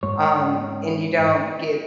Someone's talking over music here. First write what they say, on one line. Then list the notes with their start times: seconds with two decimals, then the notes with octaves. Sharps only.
um, and you don't get
0.03 G#2 C#5